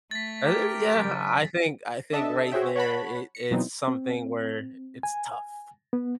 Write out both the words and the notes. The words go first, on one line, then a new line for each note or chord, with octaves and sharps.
I th yeah, I think I think right there, it it's something where it's tough.
A3 A6 B6
G4 A#4 G5
C#3 F#3
D4 A4 D#5 E5 A5
F#4 G#4 C5 C#5 E5 G5
C#5 F#5 A5 B5
C#7
B2 E3 F#3 B3 C4 D#4
C4
G#5
B3